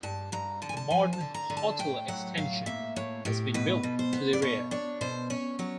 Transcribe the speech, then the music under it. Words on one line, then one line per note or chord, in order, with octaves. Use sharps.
A modern hotel extension has been built to the rear.
G2 A5
G2 A#5
D3 A5
G#5
A5
F3 G#5
A5
D3
A#5
D3
A5
A2 G5
F#3 F#5
A2 F5
A#3 E5
A2 C#5
A2 G4
B2 B4
B2
C5
B3
D5
B2 C#5
D4 C#5
B2 C5
C#4 C#5
F#3 C#5